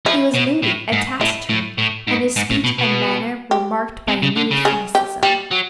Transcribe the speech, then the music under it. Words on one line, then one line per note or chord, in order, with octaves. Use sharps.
He was moody and taciturn and his speech and manner were marked by a new cynicism.
F3 E4
B2
A2
G#2
A2 E4
A2
A2
G#2
G#2
A2
B2
B2
G4
C3
C#3
D3
C#3
G#4
G4
G3 G4
F#3